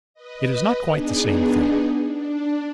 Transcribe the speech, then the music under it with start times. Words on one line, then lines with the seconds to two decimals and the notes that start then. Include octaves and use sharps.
It is not quite the same thing.
0.14 B4 D#5
0.85 B3 D4 D#4 G#4
2.03 D4